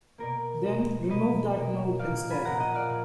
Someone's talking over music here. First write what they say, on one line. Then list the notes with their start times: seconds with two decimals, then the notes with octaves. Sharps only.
Then remove that node instead.
0.18 B2 A#3 A#4 D5
0.65 B2 A#3
1.09 B2 A#3 B4 D#5
1.55 B2 A#3
1.99 A#2 F3 A#3 D5 F5
2.30 G#5 B5
2.44 A#2 F3 A#3 F#5 A#5
2.60 D#5 F#5
2.74 D5 F5
2.90 A#2